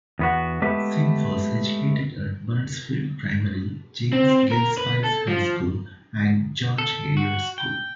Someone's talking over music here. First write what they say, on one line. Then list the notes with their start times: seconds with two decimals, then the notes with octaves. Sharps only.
Sim was educated at Bruntsfield Primary, James Gillespie's High School and George Heriot's School.
0.19 E2 B3 F#4
0.62 G#3 A3 B3 G4 B4 E5
4.13 C4
4.52 A#4
4.78 B4
5.04 A4
5.28 F3
6.78 A4
7.17 F#4
7.58 G5